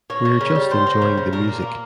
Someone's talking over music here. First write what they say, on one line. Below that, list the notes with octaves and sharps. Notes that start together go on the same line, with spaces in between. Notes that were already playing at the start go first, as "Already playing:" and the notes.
We're just enjoying the music.
A#3 C#5
A#3
C#3
G3
C#3 C5
A#3
C#3
C#3
A#2 A#4
A#3
A#3